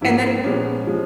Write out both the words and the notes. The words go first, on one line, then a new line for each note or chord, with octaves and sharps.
And then he
G#2 F3 A#3 C#4 E4
A#2 F3 G#3 B3 C#4
F3 G#3